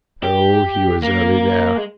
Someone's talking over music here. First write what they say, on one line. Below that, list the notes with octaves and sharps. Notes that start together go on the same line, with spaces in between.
Oh, he was early there.
G4
A#3
G#3